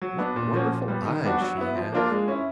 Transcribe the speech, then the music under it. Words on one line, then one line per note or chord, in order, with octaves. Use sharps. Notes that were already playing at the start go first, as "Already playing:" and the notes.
What wonderful eyes she has.
F#3
B3 D4
A#2
F3 A#3 C#4 F#4
A#2
G3 B3
D#3
G3 B3 D4 F#4
F#3
B3 E4
F3
A#3 D4 F4 A#4
G#3
C#4 E4